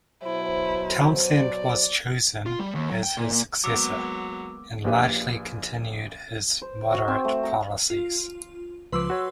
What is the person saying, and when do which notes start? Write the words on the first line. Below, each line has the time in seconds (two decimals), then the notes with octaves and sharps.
Townsend was chosen as his successor, and largely continued his moderate policies.
0.23 B2 F#3 E4 C5
1.27 D5
2.46 F4
2.59 G3
2.75 D#2
2.90 F#3
3.03 G5
3.17 A#2
3.32 A#2
3.64 F#3 G#3 A#3 B3 D6 E6
4.84 A#1 A#2 G4 B4 F5
6.62 C5
6.92 F#4
7.08 C4
7.24 A3
7.43 A#5
7.90 F4
8.92 C#2 F3 B4 C6 D6 E6
9.10 F#4 C#5